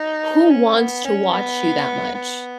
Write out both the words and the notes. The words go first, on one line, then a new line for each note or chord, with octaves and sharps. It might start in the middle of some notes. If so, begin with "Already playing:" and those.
"Who wants to watch you that much?
Already playing: D#4
C#4
B3
C#4
B3
B3